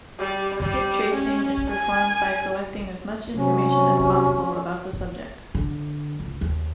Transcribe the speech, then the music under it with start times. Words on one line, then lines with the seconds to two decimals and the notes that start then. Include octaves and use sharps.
Skiptracing is performed by collecting as much information as possible about the subject.
0.19 G3
0.61 G3
1.14 C#4
1.71 G#5
3.34 C3 F#3 C#4
5.55 D3
6.20 C#2
6.41 D#2